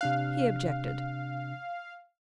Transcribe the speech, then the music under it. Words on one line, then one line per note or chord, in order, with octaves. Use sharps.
He objected.
C3 D4 F5 F#6